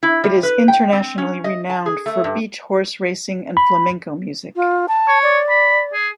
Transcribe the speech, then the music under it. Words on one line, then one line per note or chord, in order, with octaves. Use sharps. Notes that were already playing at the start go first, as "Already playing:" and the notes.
It is internationally renowned for beach horse racing and flamenco music.
E4
G3
B4
G5
C4
C#4
D#5
A5
G#4
A3
G2
B5
F4
A5
C#5
D5
B5
G#4